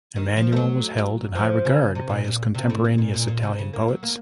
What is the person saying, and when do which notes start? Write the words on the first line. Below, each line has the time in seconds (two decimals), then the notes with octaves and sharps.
Immanuel was held in high regard by his contemporaneous Italian poets.
0.16 D#3
0.37 F3
0.52 A3
0.56 F#3
1.35 F3
1.65 C#3
1.95 C3
2.10 A#2
2.24 A#2
2.55 C3
2.70 A2
2.84 A#2
2.98 A#2
3.14 A#2
3.28 A#2
3.43 C3
3.53 C3
3.59 C#3
3.73 A#3
3.88 F#3
4.03 A#3